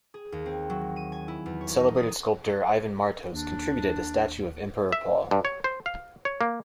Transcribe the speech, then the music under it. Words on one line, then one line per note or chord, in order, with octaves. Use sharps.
The celebrated sculptor Ivan Martos contributed a statue of Emperor Paul.
G#4
D#2
C4
F#3
D#7
G#5
E4
E2
C#5
D#4
D#6
D#2 D4
E5
G2
C#5
C5
F5
C#5
A#3